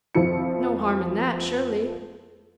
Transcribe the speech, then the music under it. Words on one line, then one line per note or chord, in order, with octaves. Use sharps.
"No harm in that, surely."
F2 F3 E4 C#7